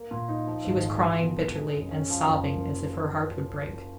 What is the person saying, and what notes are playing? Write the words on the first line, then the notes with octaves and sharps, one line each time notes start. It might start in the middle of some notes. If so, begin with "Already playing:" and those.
She was crying bitterly, and sobbing as if her heart would break.
Already playing: A#3
A#2
D#4
F3
G#1
G#3
F4
B2
B4
G#3
F#2
C#4
F3
F#1
A#3